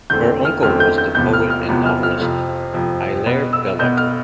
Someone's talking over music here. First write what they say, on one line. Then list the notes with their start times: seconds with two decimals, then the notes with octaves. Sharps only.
Her uncle was the poet and novelist Hilaire Belloc.
0.10 E2 D3 A3 C4 G6
0.45 F6
0.63 E2 D3 A3 C4 F6
0.80 G6
0.98 G6
1.15 E2 C3 F3 B3 G6
1.33 F6
1.50 F6
1.69 E2 C3 F3 B3
1.86 F6
2.03 F6
2.21 F2 C3 F3
2.74 F2 C3 F3
3.26 B2 B3
3.53 E6
3.79 B2 G6
3.83 B3
3.97 F6